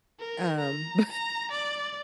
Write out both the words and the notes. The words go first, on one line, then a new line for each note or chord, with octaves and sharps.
Um, bu
A#4
A#5
A#5
D5